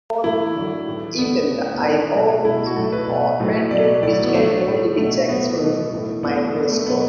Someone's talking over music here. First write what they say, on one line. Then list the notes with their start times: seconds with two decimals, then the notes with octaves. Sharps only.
Even the eyeballs are painted, which can only be checked through microscope.
0.24 A2 E3 A3 E4
0.55 D3 F#3 A3
0.87 A2 E3 A3
1.19 D3 A3 B3
1.50 A2 A3
1.76 B3
1.81 A2 A3 D4
2.13 B2 F#3 A3
2.45 B2 A3 E4
2.67 F#4
2.76 A2 F#3 A3 A4
2.92 B4
3.08 B2 A3
3.40 A2 F#3 A3
3.71 B2 F#3 A3 D5
4.02 A2 F#3 A3 D5
4.13 D5
4.23 B3
4.34 D3 F#3 A3
4.65 A2 A3
4.97 B2 F#3 A3
5.29 A2 F#3 A3 B3
5.60 B2 A3
5.92 A2 E3 A3
6.23 A2 E3 A3 B3
6.34 D4
6.45 A3
6.55 D3 A3 B3
6.71 A3
6.86 B2 F#3 A3 B3